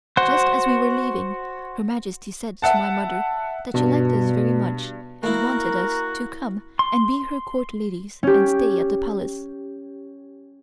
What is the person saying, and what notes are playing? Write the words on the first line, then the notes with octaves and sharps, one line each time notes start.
Just as we were leaving, Her Majesty said to my mother that she liked us very much and wanted us to come and be her Court ladies and stay at the Palace.
F#4 C5 F#5 F#6
E5 F#5 A5
G2 B2
A#3 E4 F#4 A#4
C6
C#4 G4